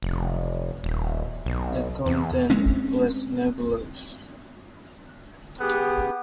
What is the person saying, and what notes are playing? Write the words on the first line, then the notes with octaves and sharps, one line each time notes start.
The content was nebulous.
F1
D#1
B1
E2
G#3 C4 C#4
B3 G4 G#4 F#5